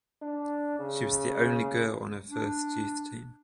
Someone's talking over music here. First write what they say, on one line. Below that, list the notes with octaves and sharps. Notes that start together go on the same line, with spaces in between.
She was the only girl on her first youth team.
D4
C#3
D4